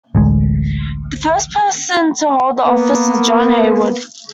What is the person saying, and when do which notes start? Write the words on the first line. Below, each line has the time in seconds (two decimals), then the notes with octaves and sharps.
The first person to hold the office was John Haywood.
0.15 A1 D2 G#3
2.66 A#3 B3